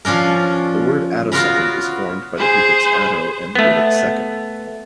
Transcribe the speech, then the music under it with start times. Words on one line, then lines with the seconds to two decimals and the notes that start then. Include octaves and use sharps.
The word "attosecond" is formed by the prefix "atto" and the unit "second".
0.05 F3 C#4 D4 A#4
1.32 B3 F4 F#4 A#4 A#5 B5
2.37 G#4 C5
3.55 A3 B3